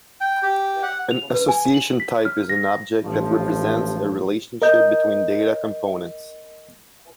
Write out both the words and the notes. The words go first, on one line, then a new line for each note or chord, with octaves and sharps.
An association type is an object that represents a relationship between data components.
G5
G4
F#5
F7
B4
G#5
F#7
B6
F6
A#6
A1 G2 F3
A#4 D#5 G6